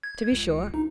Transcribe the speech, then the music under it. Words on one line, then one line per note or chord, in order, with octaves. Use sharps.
'To be sure.
G#6
C#2
D#4